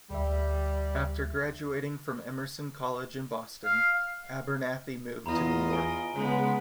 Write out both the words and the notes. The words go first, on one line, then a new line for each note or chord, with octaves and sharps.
After graduating from Emerson College in Boston, Abernathy moved to New York.
D2 G3 E5
F5
E2 F4 D#5 A#5 B5
G#5 D7 G7
C#3 G#3 B3